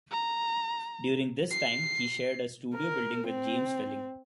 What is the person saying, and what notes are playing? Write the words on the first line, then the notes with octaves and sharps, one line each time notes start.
During this time, he shared a studio building with James Welling.
A#5
C7
A#4
C4